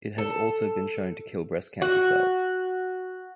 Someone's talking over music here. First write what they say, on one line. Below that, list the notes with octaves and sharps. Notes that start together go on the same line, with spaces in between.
It has also been shown to kill breast cancer cells.
A4
F#4